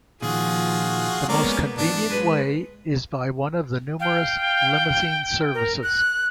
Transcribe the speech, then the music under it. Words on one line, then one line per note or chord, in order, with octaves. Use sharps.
The most convenient way is by one of the numerous "limousine services".
A#2 D#3 F3 F4 F#4 G#4
G#3 A#3 B3 C#4 A#4 D5
G#2 E3 D4
G#3 B4
F5 G5
A#4
F#6